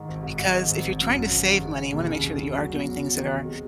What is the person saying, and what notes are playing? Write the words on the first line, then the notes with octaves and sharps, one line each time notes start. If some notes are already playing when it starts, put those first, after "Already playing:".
because if you're trying to save money, you wanna make sure that you are doing things that are
Already playing: G#2 D#3
G#1
G#2
G#2
D#3
G#1
G#1
F#2
G#1
G#1
D#3
G#3
C#3
D#2
C#3
C#3
C#3
F#3
E2
F#3
F#3
D#3
C3
G#3